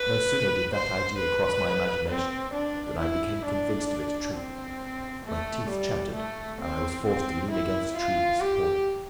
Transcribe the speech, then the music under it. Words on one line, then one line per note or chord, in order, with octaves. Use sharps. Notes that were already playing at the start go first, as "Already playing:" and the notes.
No sooner did that idea cross my imagination, than I became convinced of its truth; my teeth chattered, and I was forced to lean against a tree for support.
Already playing: B4
C5
B4
C4
D4
E4
D4
C4
A3
G3
A3
C4
C4
E4
F4
G4